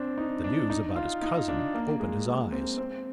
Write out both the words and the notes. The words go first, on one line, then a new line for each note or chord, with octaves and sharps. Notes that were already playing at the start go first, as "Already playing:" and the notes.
The news about his cousin opened his eyes.
Already playing: C4 D4
D#4
D4
D#4
F4
D#4
D4
A#3
G#3
A#3
C4
C4